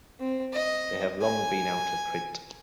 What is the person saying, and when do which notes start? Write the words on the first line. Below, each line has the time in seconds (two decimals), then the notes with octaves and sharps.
They have long been out of print.
0.20 C4
0.54 D#5
1.22 G#5